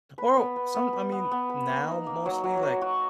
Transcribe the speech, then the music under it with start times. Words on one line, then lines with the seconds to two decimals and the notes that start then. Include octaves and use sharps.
Oh! Some I mean, now mostly, like,
0.18 B4
0.37 B3
0.56 B3
0.75 B3
0.93 B4
1.12 B3
1.31 B3
1.49 B4
1.69 A#3
1.88 D#4
2.06 A#3
2.26 F#3
2.44 F#3
2.63 F#4
2.81 F#4